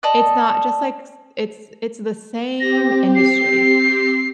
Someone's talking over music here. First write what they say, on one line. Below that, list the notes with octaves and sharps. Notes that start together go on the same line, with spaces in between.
it's not just like, s it's it's the same industry.
A4 D5 D#5 D#6
C4 G4 A#6
C7